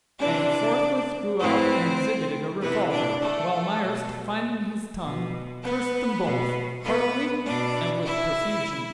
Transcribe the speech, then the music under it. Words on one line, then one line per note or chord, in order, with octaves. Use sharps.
And he forthwith drew out and exhibited a revolver, while Myerst, finding his tongue, cursed them both, heartily and with profusion.
C3 E3 D4 D5
A2 E3 C4 C5
C3 E3 B3 B4
D4 D5
A3 A4
B2
B2
B3 B4
B2
B3 B4
B2 D4 D5
E4 E5